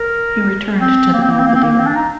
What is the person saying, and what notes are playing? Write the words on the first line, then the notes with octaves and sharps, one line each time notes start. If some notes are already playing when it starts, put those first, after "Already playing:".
He returned to the belvedere.
Already playing: A#4
C4
A#3
C4
A#3
C4
A#3
C4
A#3
C4
D4
D#4